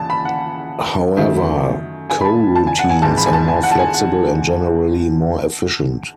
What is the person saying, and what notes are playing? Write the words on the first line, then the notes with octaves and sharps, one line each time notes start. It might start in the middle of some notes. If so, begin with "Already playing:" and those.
However, coroutines are more flexible and generally more efficient.
Already playing: D#2 C#3 E3 A5
B5
F#5
F#2 D#3 F#3 A3 E5
G#5
B5
A5
A5
G#5
F#5
G#5
G#1 G#2 E3 A5
B5
G#5
A5
G#5
F#5
A5
G#5
F#5